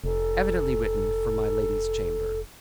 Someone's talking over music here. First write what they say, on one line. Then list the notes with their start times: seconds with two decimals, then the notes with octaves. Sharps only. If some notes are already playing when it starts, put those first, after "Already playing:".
Evidently written for my lady's chamber.
0.04 F1 A4